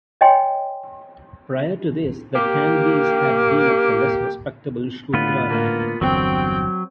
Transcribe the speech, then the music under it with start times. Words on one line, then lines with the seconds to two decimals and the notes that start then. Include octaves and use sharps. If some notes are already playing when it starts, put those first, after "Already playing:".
Prior to this, the Kanbis had been of the less respectable Shudra rank.
0.21 C#5 D#5 G5 G#5 B5 C6
2.35 A#3 G4
5.14 A2 D3 B3 F4 B4
5.49 A#3
6.01 G1 E2 D3 F#3 C4 G5